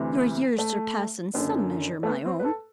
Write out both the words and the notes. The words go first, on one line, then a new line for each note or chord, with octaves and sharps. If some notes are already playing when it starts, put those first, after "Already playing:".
Your years surpass in some measure my own.
Already playing: D2 C3 E3
A3
F#1 F#2 D3
A3
B3
C4
B4
A4